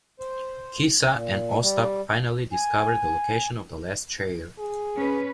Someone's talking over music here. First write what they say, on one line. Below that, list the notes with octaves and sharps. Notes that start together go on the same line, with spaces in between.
Kisa and Ostap finally discover the location of the last chair.
C5
A#2
G3
G#5
G#4
C#4 B4